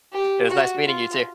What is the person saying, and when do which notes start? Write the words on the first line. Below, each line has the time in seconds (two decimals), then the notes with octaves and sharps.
It was nice meeting you too.
0.13 G4
0.49 F#4
0.87 F4